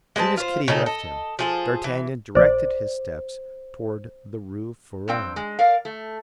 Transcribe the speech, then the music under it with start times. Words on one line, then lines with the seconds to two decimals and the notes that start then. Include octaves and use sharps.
Soon as Kitty left him, d'Artagnan directed his steps toward the Rue Ferou.
0.16 G#3 C4 B4 A5
0.37 F4 C5
0.68 C#3 C4 D#4 A4
0.86 A4 D#5
1.39 F3 G#4 A4
1.84 E3
2.35 A#1 C5 D5
5.08 G2 C4 G5
5.36 G#3
5.59 A#4 D5 F5
5.85 A3